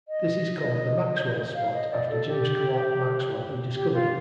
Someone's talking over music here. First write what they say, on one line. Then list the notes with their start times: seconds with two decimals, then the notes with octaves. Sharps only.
This is called the Maxwell's spot after James Clerk Maxwell who discovered it.
0.08 D#5
1.55 F5
1.74 D#5
1.91 D5
2.10 A4
2.28 G4
3.75 G4
3.93 F4